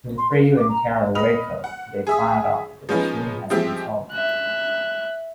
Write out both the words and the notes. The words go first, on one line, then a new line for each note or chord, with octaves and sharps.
When Frio and Kyaro wake up, they find out the machine has been stolen.
C6
A#4
F5
D6
A#5
B3 D#5 B5 F6 F7
F#5
G#4 E5 D#6
F3 G#3 B3 C#4 D#4 F4
F3 G#3 C4 F4 G4 E5
E5 F#6